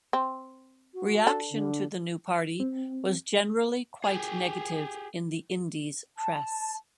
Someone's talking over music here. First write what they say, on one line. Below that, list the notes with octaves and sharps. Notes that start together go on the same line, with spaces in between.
Reaction to the new party was generally quite negative in the Indies press.
C4
F#4
D4 A4
D3
C4
G4 G#4
A5